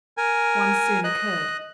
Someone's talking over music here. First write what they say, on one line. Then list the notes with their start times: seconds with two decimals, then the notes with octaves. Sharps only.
One soon occurred.
0.17 A#4 G#5
1.04 D#5 F#6